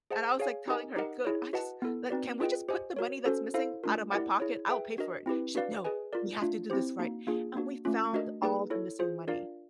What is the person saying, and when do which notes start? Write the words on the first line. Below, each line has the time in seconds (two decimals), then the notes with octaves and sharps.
And I was, like, telling her, "Good, I just like, can we just put the money that's missing out of my pocket? I will pay for it." She like, "No, we have to do this right." And we found all the missing money.
0.11 G#4 C5 D#5 F#5 A5
0.39 G#4 C#5 F5 G#5
0.68 D#4 G4 A#4 D#5 G#5
0.96 D#4 G4 A#4 D#5 F#5
1.25 E4 G#4 C#5
1.53 F#4 B4 D#5 F#5 A5
1.82 B3 E4 A4
2.10 C4 D#4 F#4 B4 D5
2.40 F4 G#4 B4 D#5 G5
2.69 G4 C5 D#5 G#5
2.96 F#4 A#4 C#5
3.25 C#4 F#4 A4 C5
3.54 E4 A4 C5 F5
3.84 A3 D4 F4 A#4
4.11 E4 G4 A#4 D5 F#5
4.40 E4 G#4 C#5
4.69 G#4 B4 E5 G5
4.98 D4 F#4 A#4 D#5
5.26 C4 E4 G4 B4
5.55 D4 F#4 B4 D5 F5
5.84 G#4 B4 D#5 G#5
6.13 F4 A#4 D5
6.41 A3 D4 F4
6.70 C4 E4 G4 C5
6.99 A#3 D#4 F#4
7.27 A#3 D4 F4 G#4
7.55 A#3 D4 F#4
7.85 A3 C#4 F4
8.13 A3 D4 F#4 A#4 D#5
8.42 A#3 D#4 G#4 B4
8.70 E4 A4 C#5
8.99 F4 G#4 C5
9.28 D4 F4 A#4 D5 F5